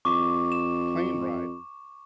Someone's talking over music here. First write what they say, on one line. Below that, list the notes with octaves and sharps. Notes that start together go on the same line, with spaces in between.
a plane ride,
F2 C#6 D6
E7